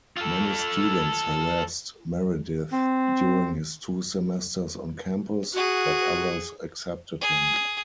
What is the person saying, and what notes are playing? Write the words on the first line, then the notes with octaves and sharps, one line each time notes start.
Many students harassed Meredith during his two semesters on campus, but others accepted him.
F4 A4
C4
F#4 G#4 F#5
G#4